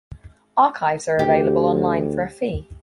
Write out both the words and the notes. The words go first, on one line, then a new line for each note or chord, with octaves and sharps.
Archives are available online for a fee.
D2 G4